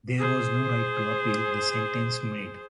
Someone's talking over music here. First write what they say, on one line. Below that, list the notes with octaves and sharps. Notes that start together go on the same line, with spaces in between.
There was no right to appeal the sentence made.
G#4 C5